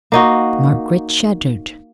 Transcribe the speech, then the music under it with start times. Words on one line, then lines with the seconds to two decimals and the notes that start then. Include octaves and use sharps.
Margaret shuddered.
0.12 A#3 D#4 F#4